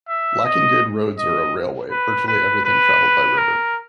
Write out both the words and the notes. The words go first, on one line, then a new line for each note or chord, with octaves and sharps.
Lacking good roads or a railway, virtually everything traveled by river.
E5
D#5
D#5
B4
B4
B4
A#4